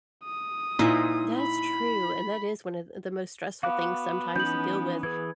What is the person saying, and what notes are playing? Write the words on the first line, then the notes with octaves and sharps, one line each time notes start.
That's true, and that is one of the the most stressful things sometimes to deal with.
D#6
A#2 D#4 E4 C5 G#5
B5
B3 F#4 F5 D6 F#6
E3 C#4 D#4 G6 F#7
E3 G#4 B4 G#6